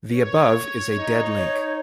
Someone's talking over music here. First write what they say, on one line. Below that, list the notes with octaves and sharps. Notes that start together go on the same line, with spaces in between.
The above is a dead link.
C#5
D#4
C#5